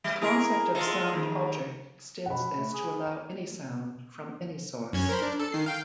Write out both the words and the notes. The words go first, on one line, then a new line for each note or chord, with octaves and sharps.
The concept of sound object extends this to allow any sound, from any source.
G3
E4 G#4 A#4
G#3 F4 A4
D#2
B2 F#5 B5
A3
G#4
F#2 C#4 G#6
A#4 C5 B5
D4
A4
D#3 C7
F5 G5